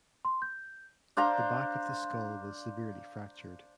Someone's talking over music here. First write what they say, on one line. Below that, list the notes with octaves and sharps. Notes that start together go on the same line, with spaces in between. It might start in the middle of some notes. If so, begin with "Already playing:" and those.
The back of the skull was severely fractured.
C6
G6
D4 C5 F5 A#5